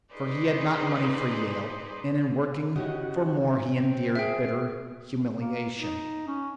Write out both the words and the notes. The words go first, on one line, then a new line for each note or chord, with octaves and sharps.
For he had not money for Yale, and in working for more he endured bitter humiliation.
D#4 G#4 B4 C5 D5 D#5
C#3 E4 F#4 G4 D#5
C4
G#4 E5 G5
A#3
D#4
C#4